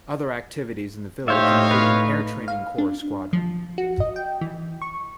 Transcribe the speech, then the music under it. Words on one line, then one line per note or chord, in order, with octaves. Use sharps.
Other activities in the village include an Air Training Corps squadron.
A2 D#4 G4 C5 C#5 E5 F5
B4
F5
D4
F3
F#4
D#5
G5
E3
C#6